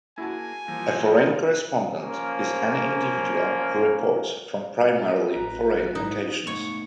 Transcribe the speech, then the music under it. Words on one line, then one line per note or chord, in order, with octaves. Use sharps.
A foreign correspondent is any individual who reports from primarily foreign locations.
A#3 E4 F#4 G#4 G#5 A5
E3 F3 G3 A#3
F3 A#3 C#4
G4 A4
A1 B4 A#5
G#2 D#4 E4
A3 B3 D#4 C#5 D#5 C#6